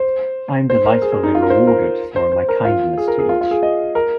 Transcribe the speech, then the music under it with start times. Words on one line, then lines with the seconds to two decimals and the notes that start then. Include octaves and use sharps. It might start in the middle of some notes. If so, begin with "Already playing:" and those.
I’m delightfully rewarded for my kindness to each!
Already playing: C5
0.70 C5
0.86 A#4
1.02 G#4
1.12 G#4
1.23 D#4
1.35 F4
1.42 A#4
1.50 C5
1.67 A#4
2.16 C5
2.32 C5
2.49 A#4
2.65 F4
2.98 G#4
3.08 A#4
3.19 G#4
3.29 F4
3.41 F4
3.51 G#4
3.63 D#5
3.95 A#4